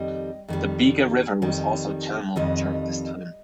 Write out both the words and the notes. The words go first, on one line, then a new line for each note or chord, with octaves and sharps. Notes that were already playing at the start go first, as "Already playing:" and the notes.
The Bega river was also channelled during this time.
Already playing: F2 D#3 G3 D#5
F2 D#3 G3
F2 D#3 G3
F2 D#3 G3 D#5